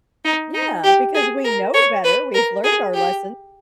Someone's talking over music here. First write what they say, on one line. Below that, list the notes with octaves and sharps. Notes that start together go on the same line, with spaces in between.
Yeah, because we know better, we've learned our lessons
D#4
D#4
G4
G#4
A#4
C#5
B4
A#4
G#4
G4